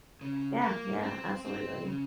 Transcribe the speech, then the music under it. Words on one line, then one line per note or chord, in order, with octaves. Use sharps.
Yeah, yeah, absolutely.
C#3
A#3
C4
C4
C#3